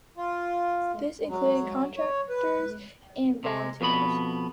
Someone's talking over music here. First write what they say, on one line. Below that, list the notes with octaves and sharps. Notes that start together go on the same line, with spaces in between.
This includes contractors and volunteers.
F4
F#3
C#5
B4
C3 G#3
F2 B2 B3 B5